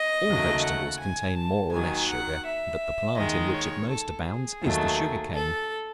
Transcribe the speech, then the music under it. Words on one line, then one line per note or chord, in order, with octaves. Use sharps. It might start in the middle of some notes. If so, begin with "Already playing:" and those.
All vegetables contain more or less sugar, but the plant in which it most abounds is the sugar-cane.
Already playing: D#5
D#2 C#3 F#3 A3
F#5
G#5
A5
D#2 D#3 F#3 G#5
F#5
E5
D#2 D#3 G#3 D#5
C#5
A4
G#4
D#2 D#3 F#3 A3
A4